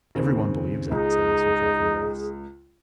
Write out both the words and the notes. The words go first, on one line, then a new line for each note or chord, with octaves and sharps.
"Every one believes it," said Mr. Chaffanbrass.
D#2 C#3 C4
C#2 D#4 G#4